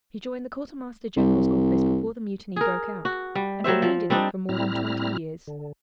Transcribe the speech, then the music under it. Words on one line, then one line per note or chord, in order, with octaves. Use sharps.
He joined the Quartermaster-General's office before the mutiny broke out, and remained in it for more than twenty years.
C2
G#4 A#4
F#4
G3
F#3 G3 C5 E5
F3
G3 C4 D4 D#4
A2 G3 C4 E4 A#5 F6
D3